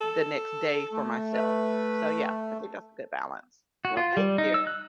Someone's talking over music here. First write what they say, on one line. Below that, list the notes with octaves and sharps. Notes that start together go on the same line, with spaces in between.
the next day for myself, so yeah, I think that's a good balance. Well, thank you.
A4
A3
B4
F#4
F4
G3
D#4
E6
F#6